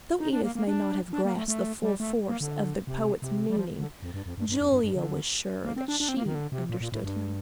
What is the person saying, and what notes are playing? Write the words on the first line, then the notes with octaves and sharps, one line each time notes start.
Though Edith may not have grasped the full force of the poet's meaning, Julia was sure that she understood him.
D#4
D4
A#3
A#3
D4
D4
A#3
A3
A3
G3
A3
A#3
D3
C3
C3
G3
F3
D3
F2
G2
F2
G2
G2
F2
G2
G2
D3
A#3
C4
D4
D4
C4
A#3
D#3
D3
C3
A#2
A#2
A2
G2